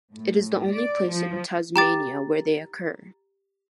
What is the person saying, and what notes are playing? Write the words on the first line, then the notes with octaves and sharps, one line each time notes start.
It is the only place in Tasmania where they occur.
A2
D5
F3
G4 G5 A#5 D6 A6